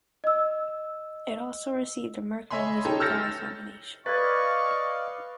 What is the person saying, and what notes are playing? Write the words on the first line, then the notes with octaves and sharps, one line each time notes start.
It also received a Mercury Music Prize nomination.
D#5 E6
C#5 D#5 E5 G#5 B5 C6
C#4 D#4 G4 A4 C#5
E6 F6 G6 A6 A#6 C#7
B4 D5 D#5 F5 C#6 G#6 A6